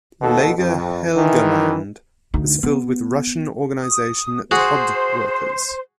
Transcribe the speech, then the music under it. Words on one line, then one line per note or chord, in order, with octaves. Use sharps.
"Lager Helgoland" was filled with Russian Organisation Todt workers.
D#2 B2 A4
F2
D#3 E3
D2 D#4
B3
D#6
F#4 G#4 C5